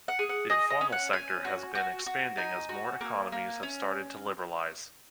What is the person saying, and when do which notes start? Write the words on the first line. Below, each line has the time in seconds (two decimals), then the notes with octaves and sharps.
The informal sector has been expanding as more economies have started to liberalize.
0.08 F#5
0.19 G#4
0.29 F#5
0.50 G#4 D#5
0.70 D#5
0.81 C#4
0.92 F#5
1.13 C#4 G#5
1.45 F#4
1.75 F#4
2.06 F#4
2.38 D#4 G#5
2.69 F#4
3.01 A#3
3.32 A#3
3.63 C#4